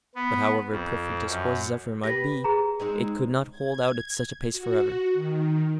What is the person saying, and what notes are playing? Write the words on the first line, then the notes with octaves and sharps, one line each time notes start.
But, however perfect his horse Zephyr might be, it could not hold out at such a pace forever.
B3
F2
F#2
G4 B4 A#6
G#4 A#5
G#3 C4 D#4
G#6
F#4
D#3